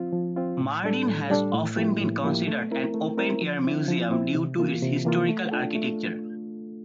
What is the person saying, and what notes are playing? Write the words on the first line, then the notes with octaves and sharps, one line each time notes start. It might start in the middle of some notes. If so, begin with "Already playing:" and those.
Mardin has often been considered an open-air museum due to its historical architecture.
Already playing: F3 C4 F4
F3
C4 F4
A2
G3 D4 A4
A2
G3 D4 A4
A2
F3 A#3 E4 G4
A2
F3 A#3 E4 G4
A3
C4 E4 A#4
A3
C4 E4 A#4
F3
C4 E4
F3
C4 E4
C3
E3 A#3 F4
C3
E3 A#3 F4
A3
D4 F4 A4
A3